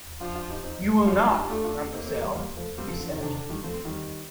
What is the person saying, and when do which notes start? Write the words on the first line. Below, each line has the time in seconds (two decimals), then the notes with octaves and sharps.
"You will not, mademoiselle," he said.
0.21 F3 D4 F4
0.35 D4 F4
0.50 D#4 G4
0.64 C4 D#4
1.07 G3 D4 F4
1.17 D#4 G4
1.28 D4 F4
1.38 D#4 G4
1.49 A3 D4 F4
1.64 D4 F4
1.93 A#3 C4 D#4
2.07 A3 C4
2.21 G3 A#3
2.35 G3 A#3
2.57 F3 A3
2.78 G3 A#3 C4
2.88 F3 A3
3.00 D3 F3
3.10 C3 D#3
3.16 D3
3.21 C3 D#3 D4
3.35 D3
3.49 D#3 G3
3.63 F3 A3 C4
3.85 D#3 G3